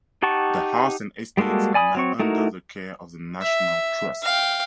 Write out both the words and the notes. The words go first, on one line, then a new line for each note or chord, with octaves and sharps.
The house and estate are now under the care of the National Trust.
D#4 G4 F#5 A5 C#6
G3 G#3 A#3 F#4 A4
D5 G#5 B5 D#6
F#3 C4 C#6
A3 D#4 E4 F#4 A#4
E5
F5 G5